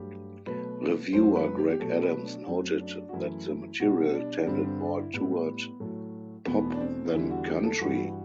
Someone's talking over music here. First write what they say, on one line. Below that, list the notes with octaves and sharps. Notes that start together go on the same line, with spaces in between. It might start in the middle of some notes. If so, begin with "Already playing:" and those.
Reviewer Greg Adams noted that the material tended more toward pop than country.
Already playing: G2 F#3 A3 G4
B2 F#3 A3 B4
F#2 F#3 A3 C5
B4
G4
G4
B2 F#3 A3 A4
B4
D4
D4
F#2 F#3 A3 C4
D4
F#4
F#2 E3 A3 E4
B2 G3 F#4
D4
G2 D3 G3 C4
C4
D4
E4
A2 G3 B3
C4
B3
A2 F#3 A3
E2 B2 A3 B3
D4
C4
E2 D3 G3 E4
F#4
G4
A4
G2 E3 G3 F#4